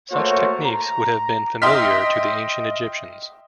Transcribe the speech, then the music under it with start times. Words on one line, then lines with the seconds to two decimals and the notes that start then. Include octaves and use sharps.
Such techniques would have been familiar to the ancient Egyptians.
0.11 A3 A#3 F#4 C5 C#5
0.62 A#5
1.62 D#5 E5 G5 C6 F6 B6